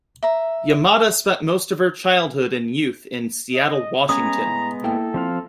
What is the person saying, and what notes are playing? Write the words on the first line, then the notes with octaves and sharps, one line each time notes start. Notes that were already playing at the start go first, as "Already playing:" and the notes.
Yamada spent most of her childhood and youth in Seattle, Washington.
E5 A#5
D#5
G#3 B3 C#4 G#5 A#5 D#6
A2
A#3 E4 A4 G5
F3 C4 F5